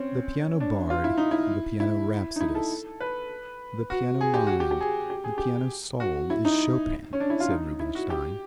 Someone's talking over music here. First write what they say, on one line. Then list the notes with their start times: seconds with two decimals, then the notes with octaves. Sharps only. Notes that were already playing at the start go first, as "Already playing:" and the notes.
"The piano bard, the piano rhapsodist, the piano mind, the piano soul is Chopin," said Rubinstein.
Already playing: C4 C#4
0.60 D4
0.90 F4
1.04 E4
1.18 D#4
1.31 E4
1.80 E4
2.36 D#4
2.41 E4
2.55 A4
3.01 B4
3.90 F#4
4.21 G#4
4.34 G4
4.47 F#4
4.60 G4
4.71 G4
4.81 G#4
5.10 G4
5.24 G#4
5.38 G4
6.00 F#4
6.30 E4
6.45 D#4
7.13 C#4
7.20 D4
7.30 E4
7.40 F4
7.50 D#4
7.80 E4
7.95 F#4
8.10 G4